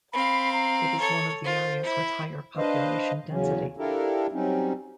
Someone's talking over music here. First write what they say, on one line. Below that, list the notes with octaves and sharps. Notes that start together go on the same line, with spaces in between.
It is one of the areas with higher population density.
C4 F5 B5
A#5
A4 C#5
F4 C5
E4
D4 B4 C5 D#5 F5
E2 C#3 F#3 C#4
D4 E4 F4 G4 A4 A#4
F#3 G3 C4 C#4 D#4